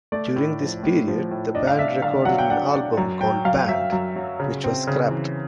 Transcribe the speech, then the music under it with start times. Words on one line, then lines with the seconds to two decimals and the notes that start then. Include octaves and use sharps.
During this period, the band recorded an album called "Band", which was scrapped.
0.12 A3 D5
0.36 A2
0.60 F3
0.83 A2
1.08 F3
1.31 A2
1.55 D4 D#5
1.67 F5
1.79 D4 E5
2.02 D3 F5
2.25 F#3 F#5
2.38 G5
2.50 D4 F#5
2.73 D4
2.97 F#2
3.21 F#3 G5
3.45 F#2 F5
3.68 F#2 E5
3.92 F#2
4.16 F#3
4.40 C#3
4.64 C4
4.87 C#3
5.10 E3